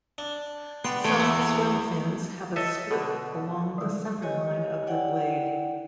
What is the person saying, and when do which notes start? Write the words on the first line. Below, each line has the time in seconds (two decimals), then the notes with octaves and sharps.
Some swimfins have a split along the centreline of the blade.
0.18 D4
0.84 B3 D5 G5 C6
1.04 E2 A3
1.20 E4 E5
2.56 A4 C#5 D#5 E5
2.91 B2 D3
3.78 G3 G#3
4.22 G4 C#5 D#5 G#5
4.87 E4 D5 F#5 G5